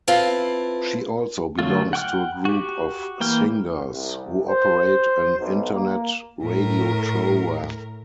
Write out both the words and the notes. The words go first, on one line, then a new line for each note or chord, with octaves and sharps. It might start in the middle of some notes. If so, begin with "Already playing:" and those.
She also belongs to a group of singers who operate an Internet radiotrova.
C4 E4 F4 A4 B4
D3 F#3 A3 F4
F#5 G5 C#6 F6 F#6
F#4 G4
E3 A#3 G5 F6
C2
C5
B1
A#3
A2 A#4